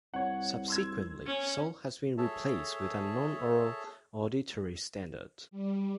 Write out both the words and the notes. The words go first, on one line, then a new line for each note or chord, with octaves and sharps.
Subsequently, salt has been replaced with a non-oral auditory standard.
C2 C#5 F#5
C6 E6 G#6
C#4
G#4 A4 C#5 E5 A5
G3